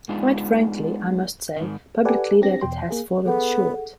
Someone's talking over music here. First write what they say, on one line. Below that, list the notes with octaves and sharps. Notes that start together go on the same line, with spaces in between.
Quite frankly, I must say publicly that it has fallen short.
G#3 B3 D4 D#4 F4
G#2 D#3
G4 A4 B4 D5 F#5 G#5
C4 D4 G4 A#6
E2 B2 G5 C6
A#3 G#4
B3 G#4 A4 F#5